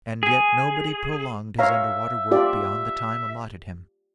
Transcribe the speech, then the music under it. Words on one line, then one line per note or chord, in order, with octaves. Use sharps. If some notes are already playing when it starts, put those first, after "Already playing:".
And yet nobody prolonged his underwater work beyond the time allotted him.
G#4
C#5 E5 F5 A#5
F4 G4 D5